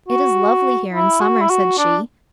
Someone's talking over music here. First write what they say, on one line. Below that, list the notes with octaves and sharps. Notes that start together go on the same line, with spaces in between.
"It is lovely here in summer!" said she.
F#4
E4
F#4
E4
F#4
D4